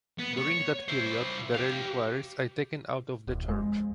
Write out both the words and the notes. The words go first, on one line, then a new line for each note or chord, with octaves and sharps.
During that period, the reliquaries are taken out of the church.
B3
C#5
E4 C5
G4 F5
D#1
F2 G#3